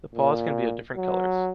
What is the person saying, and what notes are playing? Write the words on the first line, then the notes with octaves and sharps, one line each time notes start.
The paws can be of different colors.
A#2
F#3